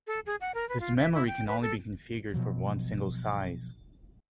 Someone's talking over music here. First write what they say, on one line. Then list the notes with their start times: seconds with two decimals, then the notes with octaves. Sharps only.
This memory can only be configured for one single size.
0.07 A4
0.26 G#4
0.41 F#5
0.54 A#4
0.69 B4
0.80 F4
0.97 E5
1.14 E4
1.27 G5
1.47 B4
1.62 A4
2.34 B2 F3 F#3